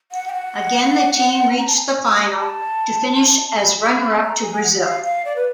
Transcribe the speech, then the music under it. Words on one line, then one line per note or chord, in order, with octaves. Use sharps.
Again the team reached the final, to finish as runner-up to Brazil.
F#5
G5
F#5
A#5
A5
G#5
G#5
A#5
A5
B5
A5
A#5
G#5
F#5
F5
F5
D5
B4